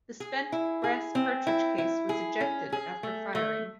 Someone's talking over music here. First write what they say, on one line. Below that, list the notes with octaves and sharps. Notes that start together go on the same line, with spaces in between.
The spent brass cartridge case was ejected after firing.
G#4
E4
G#4
C4
E4
E4
G#4
C#4
G#4
A3
A3